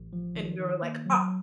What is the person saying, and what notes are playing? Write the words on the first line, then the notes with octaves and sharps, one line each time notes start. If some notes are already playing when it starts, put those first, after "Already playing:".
And we were like, "Ah."
Already playing: A1
F3
D#3
D#3
A#3
F#3